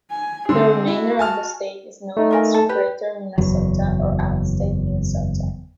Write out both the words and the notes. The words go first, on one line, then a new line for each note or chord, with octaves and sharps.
The remainder of the state is known as "Greater Minnesota" or "Outstate Minnesota".
G#5
D3 C4 G#4 C6
E4 F#4
G#5 A5 F6
A3 D#4
F4 A#4 G#5
A4
G4 B4
F#1 E2 F#3